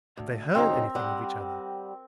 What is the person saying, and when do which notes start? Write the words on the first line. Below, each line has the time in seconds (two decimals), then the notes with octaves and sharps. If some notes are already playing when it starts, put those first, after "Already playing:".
Had they heard anything of each other?
0.17 D2
0.55 F#2 C#3 C4 D#4 A#4
0.95 G3 F#5